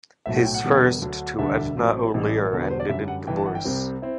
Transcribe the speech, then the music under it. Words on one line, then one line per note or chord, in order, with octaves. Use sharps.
His first, to Edna O'Lier, ended in divorce.
B1 A2 F#3 A3 E5
F#5
G5
F#5
E1 E2 D3 G3 B3
D2 D3 F#3
E1 D2 D3 G3 D4 E5
A1 A2 F#3 A3 C4
A1 A2 G3
E1 E2 D3 F#3 A4
B4
C5
D5
F#2 D3 G3 E5
F#5
G1 G2 E3 G5
A5
F#5
G5
C2 C3 G3 C4
C4 E4